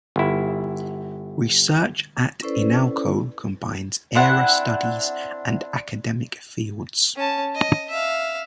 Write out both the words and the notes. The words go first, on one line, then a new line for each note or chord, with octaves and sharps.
Research at Inalco combines aera studies and academic fields.
G1 E4
C#4 E4 A4 B4 C5 D5
C4 D4 E4 F#5
C#4 A5
D#5
E5 F5